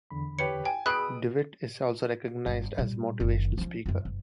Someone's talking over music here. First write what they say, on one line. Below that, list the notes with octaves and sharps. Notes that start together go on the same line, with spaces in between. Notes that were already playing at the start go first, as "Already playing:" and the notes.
Dewitt is also recognized as motivational speaker.
E2 D3 B5
G4 B4 C#5 C#7
G5 G#5
B2 G#4 B5 D#6 E6 F#6 D7
G1
A#2 G3
F#1 D#3
F3 C#4
F#2 F4
F#1